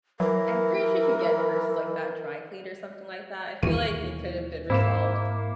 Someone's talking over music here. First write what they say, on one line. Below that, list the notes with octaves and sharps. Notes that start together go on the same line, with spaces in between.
I'm pretty sure you can get purses like that dry cleaned or something like that, I feel, like, it could've been resolved
E3 F#3 A#4
D#2 B2 E3 G3 C#6 D#7
G#2 A#3 C4 E4 E7